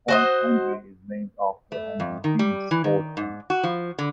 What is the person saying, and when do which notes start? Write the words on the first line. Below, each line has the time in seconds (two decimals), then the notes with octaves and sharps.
Point Henry is named after Henry Reed's boat Henry.
0.08 F#4 C5 D#5
1.72 A3
2.00 F2
2.24 D#3
2.39 G3
2.71 E3
2.84 D#3
3.17 G#2
3.50 F#4
3.63 F3
3.99 D3